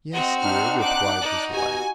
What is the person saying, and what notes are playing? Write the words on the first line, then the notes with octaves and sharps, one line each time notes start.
"Yes, dear," replied his wife.
C4 F#4 D#5 F#5
D4 D#4 F6
D6 F#6
D#4 D5 A5
B2 F#4 G4 G#5